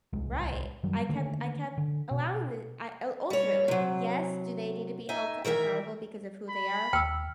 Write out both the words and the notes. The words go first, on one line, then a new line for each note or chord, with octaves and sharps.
Right. I kept I kept allowing the I, ul ultimately, yes, do they need to be held c accountable because of who they are,
D1 C2 G#3
F#2 D#3 F#3 G3
D3 D#3 A3 A#3
D3
B2
G3 C#5
C3 F#3
D#4 E5 G#5
D#3 E3 A#4 E5
B5
D#2 G5 E6 F6